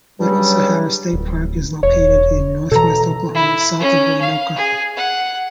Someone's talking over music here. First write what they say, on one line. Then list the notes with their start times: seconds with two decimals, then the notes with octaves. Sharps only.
Little Sahara State Park is located in northwest Oklahoma, south of Waynoka.
0.20 G2 C#3 F#3 G3
1.13 D1
1.83 E1 C#5
2.71 B2 E3 A4 A#5
3.34 E4
3.79 C#4
4.20 F5
4.56 G#4
4.96 F#5